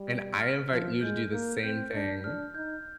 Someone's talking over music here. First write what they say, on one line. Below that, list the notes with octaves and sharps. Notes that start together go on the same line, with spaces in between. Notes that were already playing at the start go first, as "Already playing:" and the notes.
And I invite you to do the same thing.
Already playing: G3
F6
F3 F6
G#3 G6
A#3
C4 G6
D4
D4 F6
D#4 G6